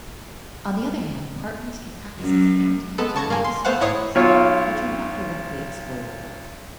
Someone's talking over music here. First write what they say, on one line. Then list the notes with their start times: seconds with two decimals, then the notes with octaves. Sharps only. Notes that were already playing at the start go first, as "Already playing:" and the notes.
On the other hand, partners can access intangible resources, which are not directly exploitable.
2.20 F#2
2.98 G#3 B3 A4
3.15 C#3 A5 C#6 G#6 A#6
3.28 G2 A#3 G#5
3.44 C6
3.65 A3 B3 C5 F5 F#5
3.81 G#2 E4 C#5 D#6 C7
4.15 B1 F4 C#5